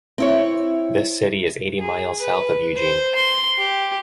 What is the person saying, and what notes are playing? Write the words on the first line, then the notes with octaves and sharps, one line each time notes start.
This city is eighty miles south of Eugene.
C4 E4 C#5
G#4
B4
C5
C6
G4